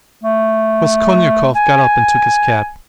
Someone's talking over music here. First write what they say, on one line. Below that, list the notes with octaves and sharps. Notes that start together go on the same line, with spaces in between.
Raskolnikov got up and took his cap.
A3
G#5